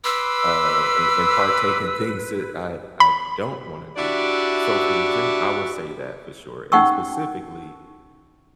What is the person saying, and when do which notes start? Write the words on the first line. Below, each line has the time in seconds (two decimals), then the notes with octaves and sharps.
uh, a and partake in things that I I don't wanna do." So for the gym, I would say that for sure, and specifically,
0.04 B4 B5 C6 D6 E6
3.00 B5
3.97 D4 E4 F#4 G4 D5 E5
6.72 C#4 D#4 F#5 G5 C#6 E6